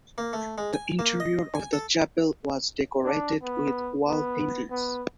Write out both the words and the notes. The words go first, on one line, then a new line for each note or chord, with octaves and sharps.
The interior of the chapel was decorated with wall paintings.
A#3
A3
G#3
G#5
A#3
D#5
G#5
A4
D4
B3
B3
B3